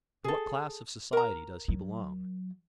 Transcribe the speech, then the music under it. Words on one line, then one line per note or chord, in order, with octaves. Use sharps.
"To what class of society does he belong?"
G#4 A4
A#4 A#5
F#3